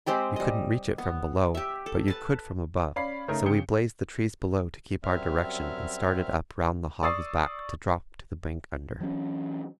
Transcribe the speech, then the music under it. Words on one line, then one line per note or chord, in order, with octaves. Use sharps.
You couldn't reach it from below, but you could from above, so we blazed the trees below to keep our direction and started up round the hog's back to drop to the bank under.
G#3 C4 G4 B5
G3 D#5
B3
G4 E5
A4
B4 A5
C#4 D5 F5 B5 C7
C#3 A3 C#4 D#4 A#4
C#3 G4 C#7 G7
F#2 F#3 G3 C4 E5 F6
D5 C#6 D#6 E6 A6 C7
E3 F#3 A#3 C#4